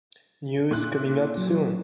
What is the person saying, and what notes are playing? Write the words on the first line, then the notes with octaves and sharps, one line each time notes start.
News coming up soon.
A#2 E4 F#6
F#3